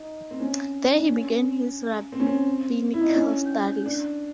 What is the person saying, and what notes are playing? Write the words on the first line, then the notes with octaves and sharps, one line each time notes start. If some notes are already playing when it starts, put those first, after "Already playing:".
There he began his rabbinical studies.
Already playing: D#4
C4
C#4
D4
C#4
C4
C#4
C4
E4
D#4
D4
C#4
D4